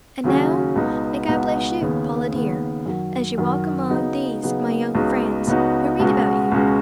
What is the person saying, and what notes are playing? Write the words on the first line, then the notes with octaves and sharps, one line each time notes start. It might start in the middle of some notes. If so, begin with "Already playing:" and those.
And now, may God bless you, Paula dear, as you walk among these my young friends who read about you!
D#2 C#3 F#3 C#4 F#4
C#2 B2 B3 D#4
C#2 B2 B3 D#4
D#2 C#3 B3
D#2 C#3 B3
F#2 D#3 F#3
F#2 D#3 F#3
C#3 F#3 B3 D#4
C#3 F#3 B3 D#4
C#2 C#3 B3 D#4 F#4
C#2 C#3 B3 D#4 F#4
C#2 B2 G#3 C#4 F#4
C#2 B2 G#3 C#4 F#4